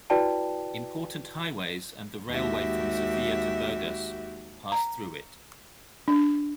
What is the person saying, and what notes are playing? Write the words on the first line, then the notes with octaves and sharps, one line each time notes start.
Important highways and the railway from Sofia to Burgas pass through it.
E4 F#4 B4 D5 G5 A5
D#2 G#3 F#4 G4 E5
A#5
D4